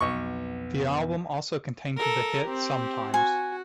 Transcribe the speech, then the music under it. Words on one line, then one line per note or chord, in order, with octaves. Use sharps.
The album also contained the hit "Sometimes".
B1 F2 B2 B3 C#6
A4 A#4
C4 G4
F#4 G#5